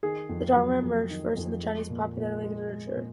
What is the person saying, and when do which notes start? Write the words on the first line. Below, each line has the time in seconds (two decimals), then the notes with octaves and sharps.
The genre emerged first in Chinese popular literature.
0.03 D#3 G#4
0.29 F2
0.56 F#3
0.82 F2
1.10 D#3
1.37 F2
1.63 G#3
1.90 A#2
2.16 A#2
2.43 G#3
2.70 G#3
2.96 A#2